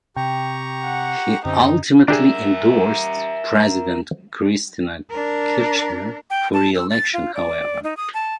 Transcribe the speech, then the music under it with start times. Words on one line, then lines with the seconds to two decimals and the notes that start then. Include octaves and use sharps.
He ultimately endorsed President Cristina Kirchner for re-election, however.
0.16 C3 G4 G5 A#5 C#6
0.84 F#5
1.45 F#2 D3 C4 C#4 D#4 G4
2.08 D4 G4 G#4 A#4 E5
5.10 D4 A#4
6.30 G5
6.54 A5
6.75 E6
6.90 A6
7.14 F4
7.34 D5
7.84 D#4
7.97 D#6
8.14 A5